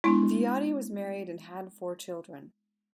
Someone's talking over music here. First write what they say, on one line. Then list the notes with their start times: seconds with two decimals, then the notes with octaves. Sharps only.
Viotti was married and had four children.
0.04 G#3 B3 D4 E4 C6